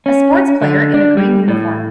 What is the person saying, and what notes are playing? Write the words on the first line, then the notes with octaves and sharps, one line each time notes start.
A sports player in a green uniform.
C#4
D3
D4
G3
A2